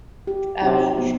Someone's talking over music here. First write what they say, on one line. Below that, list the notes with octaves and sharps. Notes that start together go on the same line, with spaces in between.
I mean,
G4
C3 D#4
B3